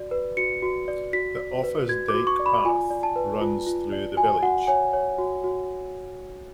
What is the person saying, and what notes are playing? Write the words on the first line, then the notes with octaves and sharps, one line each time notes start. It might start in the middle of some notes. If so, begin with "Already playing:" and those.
The Offa's Dyke Path runs through the village.
Already playing: F#4 D5
B4
F#4 C#7
F#4
D5
F#4 B6
D5
B4
F#4 G#6
D6
F#4
C#6
D5
B5
F4 G#5
D5
A5
B4
F4
F4
D5
F#4 G#5
F#4 F#5
C#5 G#5
C#5
F#4
F#4